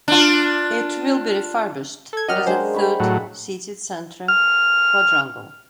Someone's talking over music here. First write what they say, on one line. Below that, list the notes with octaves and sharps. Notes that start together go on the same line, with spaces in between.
It will be refurbished as a third city centre quadrangle.
D4 F4
A4 G#6
F#3 G4 A#4 D#5 F#5 F6
G#3 D4 C5 F5
G5 B5 C#6
A2 F#3
F6